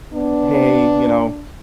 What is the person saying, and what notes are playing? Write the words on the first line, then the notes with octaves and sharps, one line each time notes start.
"Hey," you know,
B3 D4